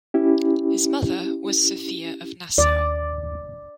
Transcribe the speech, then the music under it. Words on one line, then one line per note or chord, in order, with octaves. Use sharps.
His mother was Sophia of Nassau.
C#4 E4 G4
D#2 D5